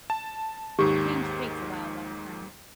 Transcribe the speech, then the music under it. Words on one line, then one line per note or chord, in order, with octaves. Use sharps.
change takes a while, a lot of times.
A5
D#2 G#2 D#3 G4